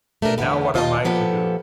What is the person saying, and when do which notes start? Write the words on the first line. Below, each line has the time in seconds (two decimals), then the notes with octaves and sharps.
And now what am I to do?
0.22 A3 D4 G4 A#4
0.38 E2 D3 F3 F#3 A3 B3
0.74 D#2 D#4 F4 G#4 D#5 A5
1.05 A#2 F3 B3 G4 A4